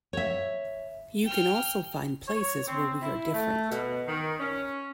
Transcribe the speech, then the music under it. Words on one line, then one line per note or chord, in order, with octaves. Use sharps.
You can also find places where we are different.
C#5 E5
G5 F6
C#5
C4
E4
A3
B2
D#3
C#4